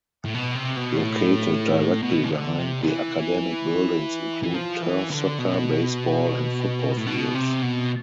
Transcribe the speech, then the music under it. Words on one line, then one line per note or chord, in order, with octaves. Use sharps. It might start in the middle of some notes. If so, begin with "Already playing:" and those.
Located directly behind the academic buildings include turf soccer, baseball and football fields.
A2
B2
C3
B2
A2
B2
E3
D3
C3
F3
E3
E3
F3
E3
D3
B2
A2
B2
C3
B2